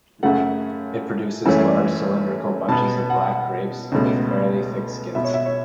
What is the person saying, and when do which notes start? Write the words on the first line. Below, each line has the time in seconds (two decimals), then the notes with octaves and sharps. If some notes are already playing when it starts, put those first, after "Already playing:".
It produces large cylindrical bunches of black grapes with fairly thick skins.
0.23 F#2 C#3 A3 F#5
1.46 F#2 E3 A3 C#4
2.68 B2 B3 A5
3.10 F#5
3.31 F#5
3.92 C#2 B2 A3
5.15 B2 B3 E5
5.24 C#5
5.34 E5
5.46 C#5